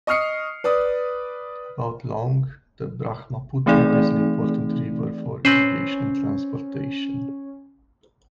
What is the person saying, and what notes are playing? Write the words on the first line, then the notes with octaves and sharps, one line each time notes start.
About long, the Brahmaputra is an important river for irrigation and transportation.
D#5 C#6 D#6 F6 C7 C#7
B4 D5 D#6
E3 A3 C4 D#4 G#4 D5
C4 C#4 B4 C5